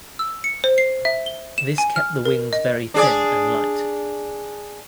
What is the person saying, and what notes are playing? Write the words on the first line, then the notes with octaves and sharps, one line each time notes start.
This kept the wings very thin and light.
E6
C#7
C5
C7
E5
G7
E7
G#5
F6
A#4
D#5
D4 G#4 D5